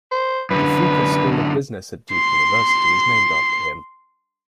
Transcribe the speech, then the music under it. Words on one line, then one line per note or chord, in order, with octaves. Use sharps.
The Fuqua School of Business at Duke University is named after him.
C5
F#2 D3 B4
C6 C7